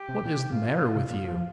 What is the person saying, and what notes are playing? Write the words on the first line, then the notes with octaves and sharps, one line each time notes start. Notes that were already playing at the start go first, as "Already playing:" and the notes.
"What is the matter with you?"
Already playing: G4
C3
A#2
C3
G#2 F4
C3
A#2
F3